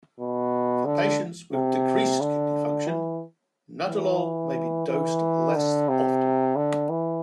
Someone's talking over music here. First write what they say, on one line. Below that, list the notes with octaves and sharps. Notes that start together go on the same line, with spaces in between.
For patients with decreased kidney function, nadolol may be dosed less often.
B2
D3
C3
D3
E3
E3
E3
D3
C3
D3
E3